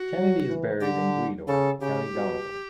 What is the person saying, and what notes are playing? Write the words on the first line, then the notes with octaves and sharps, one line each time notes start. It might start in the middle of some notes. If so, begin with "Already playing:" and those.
Kennedy is buried in Gweedore, County Donegal.
Already playing: F#4
F#3
E3
D3 G4
C#3 A4
C#3 G4
B2